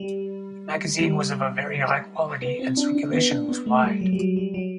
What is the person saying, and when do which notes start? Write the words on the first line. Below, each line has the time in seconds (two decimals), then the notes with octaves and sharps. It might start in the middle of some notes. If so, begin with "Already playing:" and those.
The magazine was of a very high quality and circulation was wide.
Already playing: G3
1.01 G3
2.42 B3
2.59 C4
2.77 D4
2.95 D4
3.13 B3
3.30 D4
3.49 B3
3.66 A3
3.83 G3
4.01 F#3
4.13 G3
4.19 F#3
4.37 G3
4.54 F#3